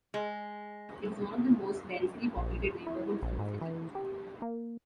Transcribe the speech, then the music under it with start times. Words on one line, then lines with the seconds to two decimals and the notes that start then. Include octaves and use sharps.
It is one of the most densely populated neighbourhoods in the city.
0.14 G#3
2.37 A#1
2.87 E4
3.22 A#1
3.39 G#2
3.61 E3
3.95 G4
4.42 A#3